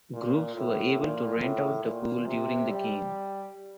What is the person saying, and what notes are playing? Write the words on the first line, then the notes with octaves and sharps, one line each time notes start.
Groups were able to rent out the pool during the game.
A#2
A2
A#2
A2
A#2
C3
G3